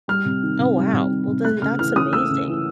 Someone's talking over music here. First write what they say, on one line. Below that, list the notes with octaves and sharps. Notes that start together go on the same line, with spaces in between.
Oh, wow. Well, then that's amazing.
G3 F6
C3
D#3
C3
G3
C3
D#3
C3
A3 F#6
C#3 F6
E3 F6
C#4 D#6
A3 E6
C#3
E3